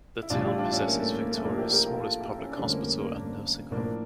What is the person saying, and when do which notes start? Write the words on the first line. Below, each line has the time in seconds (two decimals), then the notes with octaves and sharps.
The town possesses Victoria's smallest public hospital and nursing home.
0.22 E4
0.30 A2 E3 G3 D4 F4
0.45 E4 G4
0.59 D4 F4
0.73 C#4 E4
0.87 A#3
1.02 A3
1.16 A#3
1.30 A3 C#4
1.37 E4
1.44 A#2 F3 A#3 D4
1.58 E4 G4
1.73 G4 A#4
1.87 F4 A4
2.00 F4 A4
2.20 E4 G4
2.38 C#4 E4
2.51 D4
2.57 F2 D3 G3 A3 C#4
2.72 A#3
3.00 A#3
3.14 A#3 D4
3.71 A2 F3 A#3 D4